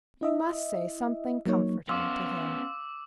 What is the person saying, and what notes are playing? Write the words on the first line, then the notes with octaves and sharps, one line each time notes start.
You must say something comforting to him.
E4 D#5 E5
F#3 A#3 D#4 C#5
B3 C#4 F5 C6 D6 E6 F6